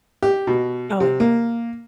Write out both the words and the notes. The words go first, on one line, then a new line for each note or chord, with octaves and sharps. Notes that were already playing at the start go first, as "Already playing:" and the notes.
Oh, yeah.
G4
B2
C3
A#3